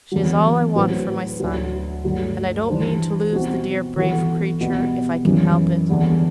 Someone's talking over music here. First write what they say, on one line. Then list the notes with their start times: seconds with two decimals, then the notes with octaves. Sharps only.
She is all I want for my son; and I don't mean to lose the dear, brave creature if I can help it.
0.12 E2 D3 F#3
0.75 A2 F#3 C4 E4 B4
1.40 D2 D3 F#3
2.04 G2 D3 F#3 A3
2.68 E3 G3 D4 G4 C5
3.32 B2 G3 C4 F#4
3.97 E3 B3 F#4 A4
4.60 C2 B2 G3 B3
5.25 F#2 E3 G3
5.89 E2 D3 G3